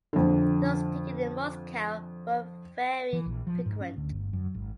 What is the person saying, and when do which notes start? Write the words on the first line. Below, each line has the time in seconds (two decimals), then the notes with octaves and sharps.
Those taken in Moscow were very frequent.
0.13 F2 D3
3.13 E3
3.26 A#1
3.47 F3
3.66 G#2
3.81 C#4
3.97 D2
4.11 G1
4.33 F#2
4.54 G#1